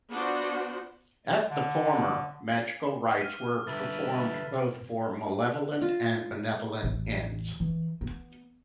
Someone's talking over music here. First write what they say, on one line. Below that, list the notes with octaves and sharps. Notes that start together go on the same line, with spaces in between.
At the former, magical rites were performed both for malevolent and benevolent ends.
B3 D4 F4 F#4 C5 F#5
D3
F6 D#7
D3 G3 A4 B4 E5 A6
F4
A1 E2
E3
B3